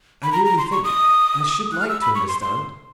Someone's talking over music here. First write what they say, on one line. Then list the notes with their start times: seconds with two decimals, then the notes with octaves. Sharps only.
"I really think I should like to understand."
0.23 B5
0.32 A#5
0.45 A#5
0.58 C6
0.72 C#6
0.84 D#6
1.73 F#6
1.80 F6
1.89 E6
2.01 B5
2.15 C#6
2.28 C6
2.41 C6